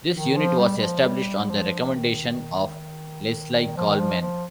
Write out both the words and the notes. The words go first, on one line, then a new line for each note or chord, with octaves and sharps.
This unit was established on the recommendation of Leslie Coleman.
D#3
F3
G3
G3
F3
G3
F3
D#3
F3
D#3
F3
F3